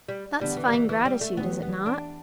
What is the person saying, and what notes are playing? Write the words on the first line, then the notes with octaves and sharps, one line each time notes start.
That's fine gratitude, is it not?'
G3
E2 D3 G3 B3 D4
E3
G3
E3
E3
G3
A3
E2 E3 G3 B3
B3
D4